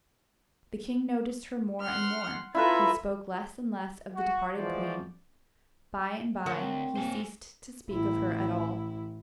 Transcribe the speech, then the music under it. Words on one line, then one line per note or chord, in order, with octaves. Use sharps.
The king noticed her more and more--he spoke less and less of the departed queen; by and by he ceased to speak of her at all.
F#5 C6 F6
E4 F4 A4 B4 E5 A#5
F#4
E3 F3 G#3 F#4 C5 D5
D2 F#4 A#4 C#5 F#5
C4 G5
C3 A#3 C#4 C5 G#5
A1 E4